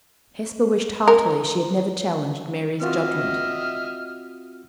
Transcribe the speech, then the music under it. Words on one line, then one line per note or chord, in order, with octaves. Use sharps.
Hesper wished heartily she had never challenged Mary's judgment.
A#4
C4 F4 F#4 D#5 E5 F6